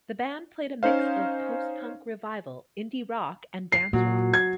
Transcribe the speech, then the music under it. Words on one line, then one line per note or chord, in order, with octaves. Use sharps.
The band played a mix of post-punk revival, indie rock, and dance-rock.
C#4 D#4 C5 F5
C7
A#2 F#3
G#6